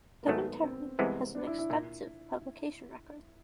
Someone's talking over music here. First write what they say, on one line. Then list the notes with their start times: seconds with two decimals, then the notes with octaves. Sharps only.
Devin Terhune has an extensive publication record.
0.23 A#3
0.27 G#2 D#3 F#3 A3 B3
0.64 C4
0.99 C2 C3 E3 G#3 B3
1.35 D4
1.47 E4
1.59 E4
1.70 A#2 E4